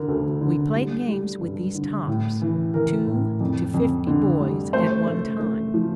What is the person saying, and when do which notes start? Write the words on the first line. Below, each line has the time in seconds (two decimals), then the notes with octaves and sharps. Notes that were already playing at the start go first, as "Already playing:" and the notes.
We played games with these tops--two to fifty boys at one time.
Already playing: D3 A#4
0.08 D2 A4
0.41 D3
0.75 G3
1.08 G3
1.41 G2
1.75 D3
2.07 A2
2.42 E3
2.74 E3 A#4
3.07 A2
3.41 F2
3.74 F2
4.07 D3
4.40 G3
4.73 A3 C5
5.07 A3
5.40 A3
5.74 F3